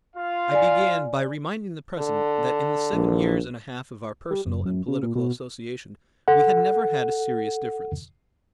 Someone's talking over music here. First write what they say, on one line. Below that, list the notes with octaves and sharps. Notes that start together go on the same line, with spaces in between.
I began by reminding the President that in the seven years and a half of our personal and political association we had never had a serious difference.
F4 F5
D5 G#5
D3
A#1
G3
F#1
F#2
C#3
A#2
B2
A4 F#5